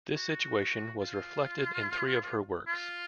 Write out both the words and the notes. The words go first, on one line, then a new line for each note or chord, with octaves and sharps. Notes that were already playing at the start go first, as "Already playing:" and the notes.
This situation was reflected in three of her works.
F#4
F4
F4